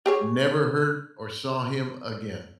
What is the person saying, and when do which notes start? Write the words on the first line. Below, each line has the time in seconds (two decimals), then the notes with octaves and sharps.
never heard or saw him again.
0.06 G4 G#4 C#5